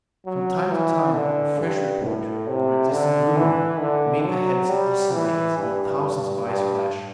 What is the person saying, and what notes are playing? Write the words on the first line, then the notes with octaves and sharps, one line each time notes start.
From time to time a fresh report, or a distant rumor, made the heads oscillate and thousands of eyes flash.
F#3
E3
D3
G2
A2
C3
D3
E3
D3
F#3
G3
E3
G2
G2